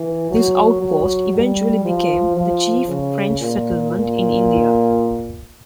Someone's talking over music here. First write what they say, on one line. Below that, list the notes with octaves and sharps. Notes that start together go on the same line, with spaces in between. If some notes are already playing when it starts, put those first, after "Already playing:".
This outpost eventually became the chief French settlement in India.
Already playing: E3
F#3
F#3
G3
F3
F3
C#3
A#2
A#2